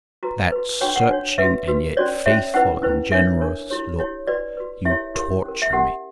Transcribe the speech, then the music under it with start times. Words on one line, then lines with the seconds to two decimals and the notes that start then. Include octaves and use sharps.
"With that searching and yet faithful and generous look, you torture me!"
0.23 F#4 B4 A#5
0.52 F#4 B4
0.81 D4 F#4 C#5 G5
0.96 F#5
1.09 D4 F#4 C#5
1.38 F#4 B4 E5
1.68 F#4 B4
1.97 C#4 F#4 C#5 D5
2.26 C#4 F#4 C#5 E5
2.54 C#4 E4 B4 F#5
2.83 C#4 E4 B4
3.12 D4 A#4 C#5 E5
3.41 D4 A#4 C#5
3.70 E4 G4 C#5
3.99 E4 G4 C#5
4.27 F#4 B4 D5
4.57 F#4 B4
4.85 E4 G4 A#4 C#5 E5
5.14 E4 G4 A#4 C#5
5.44 C#4 G4 A#4
5.62 E5
5.73 C#4 G4 A#4 F#5